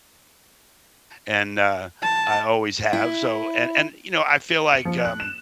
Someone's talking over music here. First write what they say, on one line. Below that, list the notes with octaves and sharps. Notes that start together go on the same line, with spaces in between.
and, uh, I always have, so and and, you know, I feel like, um,
A5
E4
C#7
F3
F#6
E7